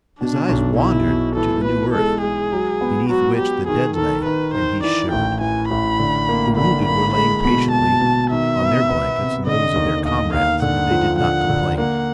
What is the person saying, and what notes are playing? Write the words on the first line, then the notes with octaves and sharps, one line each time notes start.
His eyes wandered to the new earth, beneath which the dead lay, and he shivered. The wounded were lying patiently on their blankets and those of their comrades and they did not complain.
B2 D4
B1
B1 E4
B2
E3 A4
E3 B4
G#3 A4
G#3 G#4
F#3
B3
F#3 F#4
F#3 G4
D#3 G#4
D#3 A4
D#3 B4
D#3 C5
E3 D5
A1 G5
E3 G#5
A1 B5
D3
A#3
D3 B5
A#3 B5
G#3 B5
B2 B5
B2 A5
B2
D#3 E5
B3
B3
C3
D3 D#5
D#2
D#2 D#5
D#2 F5
D3 F#5
F3
D3 F#5
D3
A#3 F#5